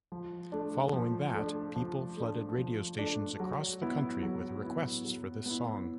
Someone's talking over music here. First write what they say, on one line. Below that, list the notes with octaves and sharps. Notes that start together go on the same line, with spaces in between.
Following that people flooded radio stations across the country with requests for this song.
F3
A3 D4
F3
A3 D4
F3
A3 D4
F3
A3 D4
F#3
B3 E4
F#3
B3 E4
F#3
B3 E4